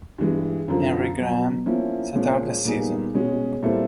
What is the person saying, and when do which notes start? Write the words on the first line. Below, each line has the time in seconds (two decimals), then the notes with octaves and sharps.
Henry Graham sat out the season.
0.18 G2 E3 G#3
0.68 F#2 D3 F3
1.16 B2 F#3 B3
1.66 F3 A#3 C#4 E4
2.15 A#2 F3 G#3 C#4
2.65 A#2 G3 B3 D#4 G#4
3.14 B2 G#3 C#4 F#4
3.63 A#2 G3 C4 E4 A4